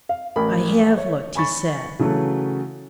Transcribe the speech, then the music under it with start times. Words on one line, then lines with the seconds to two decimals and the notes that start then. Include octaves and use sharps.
"I have looked," he said.
0.09 F5
0.36 A1 A#4 B5
0.97 C#5
1.35 G#5 B5 C#6 A6
1.99 C#3 E3 F#3 A3